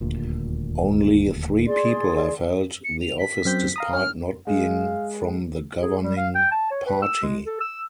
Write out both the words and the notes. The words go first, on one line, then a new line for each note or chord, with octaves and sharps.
Only three people have held the office despite not being from the governing party.
D#1 D2 A#2
G#4 D5 C6
C#7
F7
B6
F#2 C4 G6
F5 A#5 D#6
C#4 F6
G#3 F5
G#4
G3
F5
G5
A5
C#5
B4
E6
G#3
A4
E6